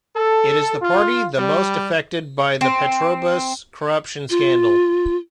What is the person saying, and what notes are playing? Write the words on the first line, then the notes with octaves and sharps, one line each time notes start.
It is the party the most affected by the Petrobras corruption scandal.
A4
F4
G3
C4
F4